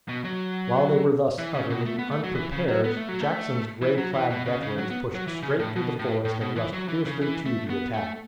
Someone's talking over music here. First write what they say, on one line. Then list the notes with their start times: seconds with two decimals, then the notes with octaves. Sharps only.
While they were thus utterly unprepared Jackson's gray-clad veterans pushed straight through the forest and rushed fiercely to the attack.
0.09 B2
0.24 F#3
1.39 E3
1.54 C#3
1.70 B2
1.86 A3
1.99 B3
2.11 A3
2.24 F#3
2.35 E3
2.52 C#3
2.68 F#3
2.84 B3
2.97 A3
3.09 F#3
3.20 A3
3.82 E3
3.97 F#3
4.14 E3
4.30 B2
4.46 C#3
4.62 C#3
4.78 F#3
4.90 B3
5.14 F#3
5.27 E3
5.43 C#3
5.59 A2
5.76 B2
5.99 A2
6.25 A2
6.41 B2
6.56 E3
6.73 F#3
6.88 E3
7.06 C#3
7.21 E3
7.46 A3
7.70 B3
7.94 A3